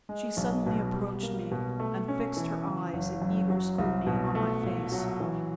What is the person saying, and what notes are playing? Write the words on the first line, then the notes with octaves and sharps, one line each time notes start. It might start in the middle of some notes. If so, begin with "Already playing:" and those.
She suddenly approached me, and fixed her eyes in eager scrutiny on my face.
G#3
B1
B2
G3
A#3
B2
A3
C#4
E3
C#3
F#1
F#2
F#3
C2
B2
A3
A#2
F#3
E3